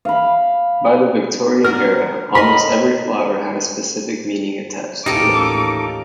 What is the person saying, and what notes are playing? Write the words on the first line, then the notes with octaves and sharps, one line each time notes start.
By the Victorian era, almost every flower had a specific meaning attached to it.
F5 B5
F#4 A#4 F6
A#4 D#5 B5
A1 D#2 C#4 D#4 F4 G4 A4 D6